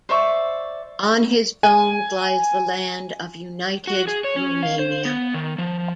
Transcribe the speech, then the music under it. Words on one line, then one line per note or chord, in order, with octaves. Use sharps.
On his bones lies the land of united Romania.
C5 D5 E5 C#6
G#5
F#4
G#4
C#5
C#4
F5
C5
B3
D#3
F3